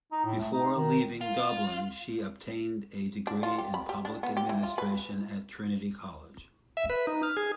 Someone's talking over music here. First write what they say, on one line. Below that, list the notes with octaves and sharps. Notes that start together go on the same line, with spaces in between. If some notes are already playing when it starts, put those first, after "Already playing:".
Before leaving Dublin she obtained a degree in public administration at Trinity College.
D#4
A2
A3
D#4
D#3
F4
D4
F4
G4
B5
G4
D4
B3
G4
E3
F4
B4
E5
B4
D#4
F6
G#4